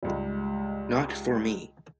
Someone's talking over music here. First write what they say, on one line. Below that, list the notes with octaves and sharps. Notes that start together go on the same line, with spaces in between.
Not for me.
C#2 G#2 G3